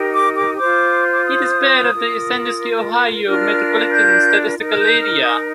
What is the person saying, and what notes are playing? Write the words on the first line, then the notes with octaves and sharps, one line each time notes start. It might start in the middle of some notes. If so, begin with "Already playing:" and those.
It is part of the Sandusky, Ohio Metropolitan Statistical Area.
Already playing: D#4 G4 A#4
D6
D6
F4 C5 D6
D6
D#6
F4 A#4
D4 F4 A#4 F6
G6
D#4 A#4
F6
G6
F6
D#6